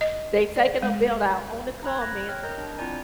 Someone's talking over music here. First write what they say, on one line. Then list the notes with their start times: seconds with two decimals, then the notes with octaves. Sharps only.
They taking a belt out on the comment,
0.01 D#5
0.56 D5
0.82 G#3
1.83 A#5 B5 F#6 G#6
2.01 F#6 A#6
2.29 C#5 G5 F6
2.43 A#4 D#5 A#5 G6
2.58 D4
2.78 C4 E4 F4 D5 G#5 A#5